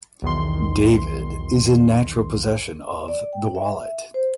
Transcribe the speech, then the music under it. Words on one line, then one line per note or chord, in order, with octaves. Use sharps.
David is in natural possession of the wallet.
B1 E2 D#3 C6
D5
G5
E5
C5